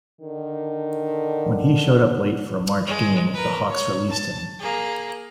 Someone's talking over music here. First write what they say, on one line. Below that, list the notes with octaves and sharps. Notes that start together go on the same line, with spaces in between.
When he showed up late for a March game, the Hawks released him.
D3 D#3
G#3
A#4 B4
C#5
A5
A#3 G#4